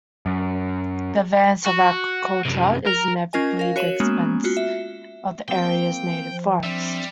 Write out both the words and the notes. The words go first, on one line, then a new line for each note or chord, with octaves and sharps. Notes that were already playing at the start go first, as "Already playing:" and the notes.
The advance of agriculture is inevitably at the expense of the area's native forest.
F#2
F#4
F#2 C3
A#4
C#4 F4 A#4 D#5 G#5
A#4 F5
F#4 C#5 D#7 E7 F#7
G#3 A#3 B3 C#4
F4 F#4
E5
F3 A#3 C4 G5
F3
G3 C4 D4 E5